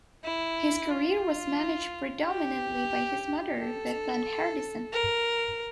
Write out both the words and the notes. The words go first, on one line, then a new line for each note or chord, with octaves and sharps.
His career was managed predominantly by his mother, Bethann Hardison.
E4
F4
G4
A4
A#4